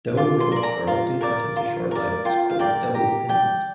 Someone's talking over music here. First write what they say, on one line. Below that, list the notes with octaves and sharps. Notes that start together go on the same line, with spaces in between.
Dowel rods are often cut into short lengths called "dowel pins".
F4 D6
C6
A#4 D5
A#5
F4 F5
A#4 D5
F4
A#4 D5
F4 G5
F5
A#4 D5 G5
G4 A#5
D5 G5